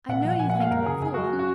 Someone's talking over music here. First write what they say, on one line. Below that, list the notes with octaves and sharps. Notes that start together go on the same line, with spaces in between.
"I know you think him a fool."
A#2 F#5
F3 F#5
A#2 G#5
F#5
A#3 F5
F#2 A#4
C#3 G#4
F#2 G#4
F#3 F#4
C#4
F#4